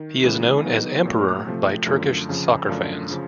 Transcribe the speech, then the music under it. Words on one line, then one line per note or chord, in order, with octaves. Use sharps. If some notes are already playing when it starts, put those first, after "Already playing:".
He is known as "emperor" by Turkish soccer fans.
Already playing: D#3
C#3 E3 G#3 B3
D#3 F#3 B3 D#4
A#2 F#3 A3
C3 F3 A3
F#2 D3 F3 A3
F2 C#3 F3
F#2 D3 F3 A3 D4
C#3 F3